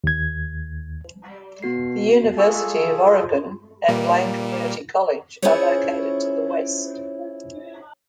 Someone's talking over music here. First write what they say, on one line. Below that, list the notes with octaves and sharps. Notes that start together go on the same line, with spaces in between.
The University of Oregon and Lane Community College are located to the west.
D#2 G#6
B2 B3 F#4 C7
F4 G#4 A4 G#5 C#6 E6
A#2 G3 A#3
C#4 E4 F4 G#4 C5 C#5